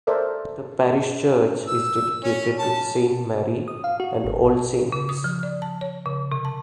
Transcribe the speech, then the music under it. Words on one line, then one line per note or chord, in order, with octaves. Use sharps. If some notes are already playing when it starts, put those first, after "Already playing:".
The parish church is dedicated to Saint Mary and All Saints.
A4 A#4 C5 D5 E5
E6
C#4 C#5
C#4 A5
D#6
F5
F#4
G#1
A#1
C#3
D#6
F3
D5
A5
C#5
C#3
C3
A5